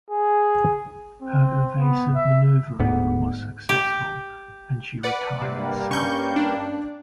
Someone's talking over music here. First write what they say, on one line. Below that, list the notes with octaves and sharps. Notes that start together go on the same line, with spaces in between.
Her evasive maneuvering was successful, and she retired south.
G#4
C4
B3
E5
D1 D2 G#2 B3
G4
B4 D5 F#5
G2 C3 G3 A#3
C#4 C#6 G6
D4